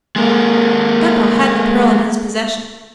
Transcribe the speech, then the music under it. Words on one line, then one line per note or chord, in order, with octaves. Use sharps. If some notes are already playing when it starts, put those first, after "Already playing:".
Beppo had the pearl in his possession.
G#3 A#3